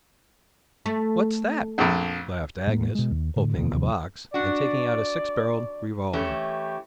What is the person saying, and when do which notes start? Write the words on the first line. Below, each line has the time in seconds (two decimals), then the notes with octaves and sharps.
"What's that?" laughed Agnes, opening the box and taking out a six-barrelled revolver.
0.86 A3
1.78 A#1 F2
2.67 A2 G#3 A#3
2.95 B2 G#3
3.11 D#2
3.36 A2 D3
3.56 D#1 D2 B2 A#3
3.73 D#2 C3 F3
4.34 D4 F#4 D5
6.13 E3 A3 C#4 G4